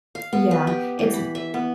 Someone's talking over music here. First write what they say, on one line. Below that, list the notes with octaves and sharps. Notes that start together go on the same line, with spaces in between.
Yeah. It's i
F5
B3
B4
G4
E3
B5
E5
B3